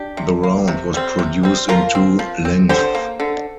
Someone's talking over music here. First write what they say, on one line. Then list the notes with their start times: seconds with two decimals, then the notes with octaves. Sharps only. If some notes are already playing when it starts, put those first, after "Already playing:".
The round was produced in two lengths.
Already playing: D4 G4
0.17 C3
0.43 A#3
0.68 C3
0.94 G3 C4
1.19 C3
1.43 G3 C4
1.69 F3 F4 A#4
1.95 C4
2.19 F3
2.45 C4
2.69 D3 G4 C5
2.95 A#3
3.20 D3